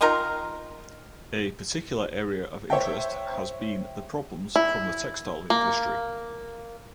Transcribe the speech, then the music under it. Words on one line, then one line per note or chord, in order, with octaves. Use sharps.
A particular area of interest has been the problems from the textile industry.
D#3 D#4 F4 A#4
C5 C#5 E5 G5
E4
A#3